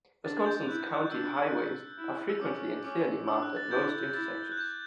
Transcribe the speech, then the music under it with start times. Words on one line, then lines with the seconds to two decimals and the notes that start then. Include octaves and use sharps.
Wisconsin's county highways are frequently and clearly marked at most intersections.
0.24 D4 A6
0.46 G6
0.68 E4 F#6
0.81 G6
0.93 F#6
1.11 D4 E6
1.98 E4
2.29 E6
2.41 C#4 D6
2.84 C#4 D6
3.28 D4 E6
3.43 F#6
3.57 A6
3.71 E4 G6
4.14 E4 A6
4.52 F#6
4.57 G6